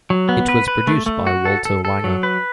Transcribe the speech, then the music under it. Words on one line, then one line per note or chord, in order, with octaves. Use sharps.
It was produced by Walter Wanger.
F#3
B3
B4
B4
A3
A3
F#4
A4
A4
A4
F#3
B4